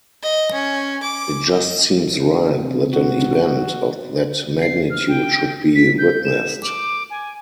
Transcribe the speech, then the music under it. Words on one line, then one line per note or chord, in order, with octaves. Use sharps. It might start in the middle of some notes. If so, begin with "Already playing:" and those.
It just seems right that an event of that magnitude should be witnessed.
D#5
C#4
D6
D#5
C3
F#4
C7
F6
G5
B6
G6
E7
D6
G#5